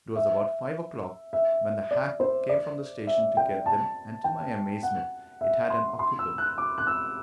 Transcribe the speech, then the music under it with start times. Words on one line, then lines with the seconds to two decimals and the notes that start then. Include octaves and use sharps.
It was about five o'clock when the hack came from the station to get them, and, to my amazement, it had an occupant.
0.16 E5
1.33 E5
1.91 D5
2.20 C5
2.49 D5
3.07 E5
3.37 G5
3.66 A5
4.24 G5
4.83 F#5
5.41 E5
5.70 C6
5.99 C6
6.19 E6
6.38 F#6
6.58 D6
6.78 F#6
6.87 E6